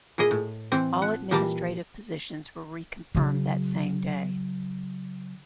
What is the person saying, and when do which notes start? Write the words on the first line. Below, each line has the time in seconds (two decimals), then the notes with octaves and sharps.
All administrative positions were reconfirmed that same day.
0.18 A#2 E4 G#4 D#5
0.31 A2
0.72 E3 C4
1.02 F3 F#5
1.31 A#2 E3 G3 A5 A#5
3.15 C#3 F#3